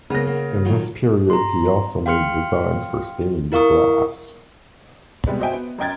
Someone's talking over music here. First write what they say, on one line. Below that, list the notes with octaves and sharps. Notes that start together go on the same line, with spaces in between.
In this period he also made designs for stained glass.
C#3 A#3 B3 A#6
A#3
D#3 F#3 F4
A#5 C6
F5 G5 C6 F6 C#7
E4 A#4 F5 C#6 D#6
C3 G3 G#3 B3
F#4 C5 D#5 E5 G5 G#5
B3
F#2 C#4 D#5 G5 G#6 A6